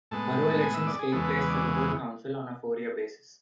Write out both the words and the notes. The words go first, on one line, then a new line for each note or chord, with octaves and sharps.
Borough elections take place for the whole council on a four-year basis.
A2 G#3 B3 A5
G#5
E5
D5
G#4
E2 C#3 E3 G#3 B3 A4
B4
B4
D5